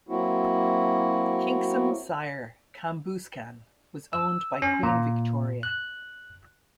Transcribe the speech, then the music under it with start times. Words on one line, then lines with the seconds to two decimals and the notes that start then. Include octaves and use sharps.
Kincsem's sire, Cambuscan, was owned by Queen Victoria.
0.08 F#3 A#3 C4 E4 F#4
4.13 E6
4.62 C#4
4.83 A#2
5.63 F#6